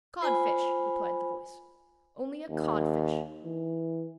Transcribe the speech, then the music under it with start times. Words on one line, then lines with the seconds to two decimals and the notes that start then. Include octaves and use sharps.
"A codfish," replied the voice, "only a codfish."
0.21 F4 C5 G#5 B5
2.51 D#2
3.45 E3